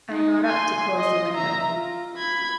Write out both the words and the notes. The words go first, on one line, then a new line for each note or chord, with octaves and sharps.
I got up to close the window.
D#4
G#5 C6
D#5 C6
E5 A#5
F4
B5 G#6